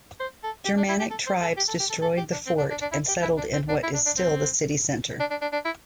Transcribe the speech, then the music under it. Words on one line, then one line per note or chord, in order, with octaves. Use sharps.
Germanic tribes destroyed the fort and settled in what is still the city centre.
C5
A4
G4
D4
E4
G4
A4
C5
A4
G4
A4
G4
A4
A4
G4
D4
C4
D4
D4
D4
E4
G4
E4
D4
C4
D4
E4
D4
D4
C4
D4
D4
D4
D4
E4